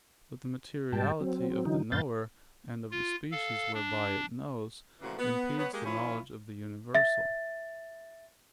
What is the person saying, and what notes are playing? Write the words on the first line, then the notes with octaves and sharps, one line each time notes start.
But the materiality of the knower, and of the species whereby it knows, impedes the knowledge of the universal.
G#2 G3 G5 A5
F#3 C4
D3 E3 F#3 D#4
F#2 A#2 B4 F5 G6 A6
F4
A4 F5
D4
A#2 C#3 E3 F3 A3 F#4
B3
F#3 B3 C#5
G#3 A#3 G4
D#3 F3 C#4 E4 F4
E5 A6